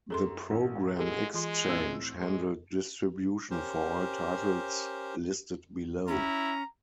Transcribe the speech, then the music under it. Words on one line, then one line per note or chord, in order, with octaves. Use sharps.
The Program Exchange handled distribution for all titles listed below.
F#2 G#4 A4 C6
A1
G#3 G4 A4
E3 G#3 F4 C6
A2 C4 E6
G#3
C#4 G4 A#4 C5
C#4 E4 A#5